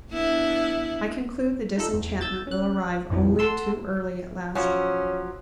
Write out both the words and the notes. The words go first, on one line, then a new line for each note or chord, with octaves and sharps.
I conclude the disenchantment will arrive only too early at last.
B3 D4 E4
D#4 F4 A4
E2
E6 G6 A6
C#4 F#6
A#1 F2 E3 F3 G3
A4 F#5 A5 C6 E6
F3 F#3 C#4